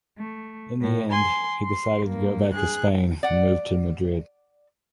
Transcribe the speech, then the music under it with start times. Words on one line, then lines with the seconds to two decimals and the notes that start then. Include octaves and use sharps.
In the end he decided to go back to Spain and moved to Madrid.
0.17 A3
0.80 A2
1.10 G#5 C6
1.63 C6
2.05 G2 A#3
2.53 G#4 F#6
3.23 D5 F#5